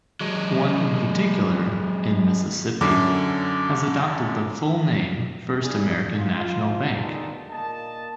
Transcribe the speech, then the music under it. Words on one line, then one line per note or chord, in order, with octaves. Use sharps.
One in particular, in Mississippi, has adopted the full name "First American National Bank".
F#3 G#3
F#2 D3 D6
B2 D4 E4 G#4
F4
B2 D3 D#3 G#3 D#4 A4
A#2 A#3 D#5 A5